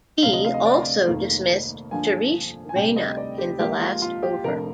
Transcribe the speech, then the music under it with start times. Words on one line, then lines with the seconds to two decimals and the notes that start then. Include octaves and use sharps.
He also dismissed Suresh Raina in the last over.
0.23 D2 C3 F3 F5
0.33 D#5
0.45 F5
0.54 D#5
0.66 D5
1.07 F1 F2 D#3 A#3
1.91 G2 D3 F3 A#3 G#5
2.69 G#5
2.75 D2 C3 G3 G5
2.96 D#5
3.17 D5
3.38 G4
3.59 G#1 G#2 F3 A#3 G4
3.81 F4
4.02 F4
4.23 G4
4.44 F1 F2 D3 F3 A#4